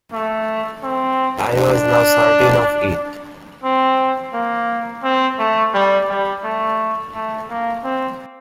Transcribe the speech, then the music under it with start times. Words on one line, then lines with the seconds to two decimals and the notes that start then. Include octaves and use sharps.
I was now certain of it.
0.13 A3
0.83 C4
1.53 D4
3.64 C4
4.33 A#3
5.03 C4
5.39 A3
5.74 G3
6.09 G3
6.44 A3
7.14 A3
7.50 A#3
7.84 C4